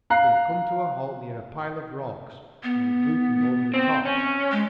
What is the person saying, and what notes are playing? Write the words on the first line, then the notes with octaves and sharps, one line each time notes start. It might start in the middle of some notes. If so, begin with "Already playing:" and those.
He had come to a halt near a pile of rocks and was looking over the tops.
F5 A#5 F#6 C7
B3
C4
C#4
G#3